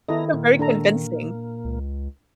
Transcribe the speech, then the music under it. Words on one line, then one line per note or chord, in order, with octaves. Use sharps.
You're very convincing.
D#3 B3 E4 A4 D#5 A#5
A#2 A#3
D4 A4 A#5
C#2